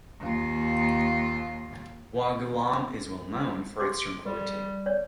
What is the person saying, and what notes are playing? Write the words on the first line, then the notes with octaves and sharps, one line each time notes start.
Bois-Guillaume is well known for its tranquility.
D#2 F4
G4 C6 D6
G3
C#5 D5